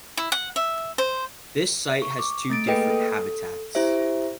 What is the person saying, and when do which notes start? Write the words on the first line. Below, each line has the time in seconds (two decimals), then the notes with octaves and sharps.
This site has two different habitats.
0.17 E4
0.32 F#5
0.56 E5
0.98 C5
2.02 C#6
2.19 D6
2.50 A3 A6 D7
2.67 A#3 G#4 A4 B4 D#5 G5
2.90 A4
3.75 E4 G4 C5 E5